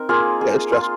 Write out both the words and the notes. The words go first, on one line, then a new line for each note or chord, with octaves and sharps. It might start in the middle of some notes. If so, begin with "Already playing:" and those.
Yeah, that's stress
Already playing: C4 D#4 A#4
A#3 F4 G#4
G#4
F4